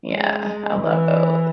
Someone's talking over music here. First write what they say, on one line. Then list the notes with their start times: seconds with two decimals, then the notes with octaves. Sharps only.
Yeah, I love those.
0.11 G#3
0.80 E3